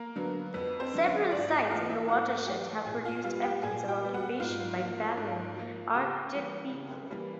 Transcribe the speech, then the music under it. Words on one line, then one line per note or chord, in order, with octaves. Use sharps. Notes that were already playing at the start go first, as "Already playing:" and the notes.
Several sites in the watershed have produced evidence of occupation by Paleo-Arctic people.
Already playing: A#3 A#4
D3 F#3 B3
F2 B3 B4
C4 C5
D3 F#3 B3
C#4 C#5
G#2 D4 D5
E4 E5
E3 A3 F4 F5
D#5
E4 E5
G#2 F#4 F#5
F#5
E3 A3 G4 G5
A#2 G#4 G#5
F4 F5
G3 B3 F4 F5
G4 G5
A#2 G#4 G#5
G4 G5
G3 B3
F#4 F#5
G#2 F4 F5
F3 A#3
G#2
F3 A#3
C#3 G4 G5
E3 G3 A#3
C#3
E3 G3 A#3